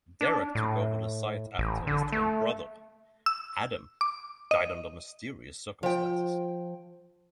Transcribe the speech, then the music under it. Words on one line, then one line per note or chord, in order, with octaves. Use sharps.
Derek took over the site after his twin brother, Adam, died under mysterious circumstances.
D4
A2
A1
D3
A3
E6
D6
D#5
F3 G5